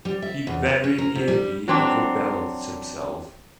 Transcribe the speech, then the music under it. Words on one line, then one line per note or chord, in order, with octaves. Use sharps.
He very nearly overbalanced himself.
G3
E5
E2
B4
C#4
A#4
C3
G3
F#3 C4 D4